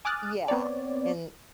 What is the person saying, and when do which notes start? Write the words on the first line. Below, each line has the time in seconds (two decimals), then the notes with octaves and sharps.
Yeah, and,
0.05 G#5 D6 D#6 F6 F#6 A6
0.48 B3 C4 C#5 D5